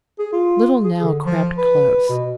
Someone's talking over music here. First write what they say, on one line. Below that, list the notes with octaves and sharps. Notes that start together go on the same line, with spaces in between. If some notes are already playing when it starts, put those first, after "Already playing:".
Little Nell crept close.
G#4
F4
G#4
D3
F3
B4
B2